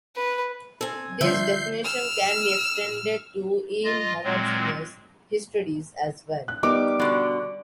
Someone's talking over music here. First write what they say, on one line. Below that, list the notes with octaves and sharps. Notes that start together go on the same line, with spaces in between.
This definition can be extended to inhomogeneous histories as well.
B4
C4 A4 G#5
D3 F3 G3 F4 E5 G6 C7
E6 F6
F4 D#5
A#2 F#3 G#3 C4
F#6
G3 B3 D#4 A#4 D6
B2 D3 D5